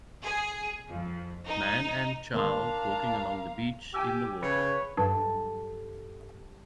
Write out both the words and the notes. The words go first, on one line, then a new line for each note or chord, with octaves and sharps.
Man and child walking along the beach in the water.
G#4
F2
D#4
D#3 A#3 D4 A#4 F5 A#5 C6 D6
G4 G5 G#5 E6
C#3 B4 C#5
G2 G3 A4